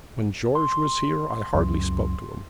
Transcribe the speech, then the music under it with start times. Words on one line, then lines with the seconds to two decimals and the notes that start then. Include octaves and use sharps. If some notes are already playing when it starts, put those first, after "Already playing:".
When George was here, I hardly spoke to him.
0.55 C6
1.55 C#2 F#2